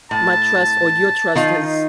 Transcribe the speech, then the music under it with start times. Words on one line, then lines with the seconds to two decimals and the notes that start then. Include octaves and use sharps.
my trust or your trust is
0.11 A2 A5
1.35 D#3 D#4 F4